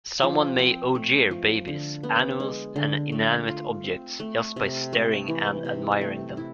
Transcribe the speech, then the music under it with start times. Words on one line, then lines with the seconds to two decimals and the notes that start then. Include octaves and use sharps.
Someone may "ojear" babies, animals and inanimate objects just by staring and admiring them.
0.23 F3
0.59 C4
0.95 A3
1.31 F3
1.68 D3
2.03 B3
2.40 G#3
2.76 D3
3.12 A3
3.48 F4
3.84 C4
4.20 A3
4.56 C3
4.93 A3
5.28 E3
5.65 C3
6.01 A3
6.37 E4